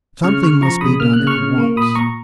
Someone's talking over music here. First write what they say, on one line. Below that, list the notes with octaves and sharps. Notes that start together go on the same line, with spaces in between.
Something must be done at once.
C#3 C#6 F6
C#3 C#6 F6
F3 A#5 C#6
C#3 B5 D#6
A#3 F6
F#6
C#3
C#6 F6
C#3
A#3
A#2 B5 D#6
A#2 A#5 C#6